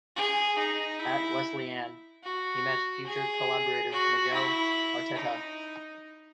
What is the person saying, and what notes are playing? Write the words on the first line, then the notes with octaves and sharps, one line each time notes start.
At Wesleyan, he met future collaborator Miguel Arteta.
G#4
D#4
E4
F#4
G#4
F#4
E4
D#4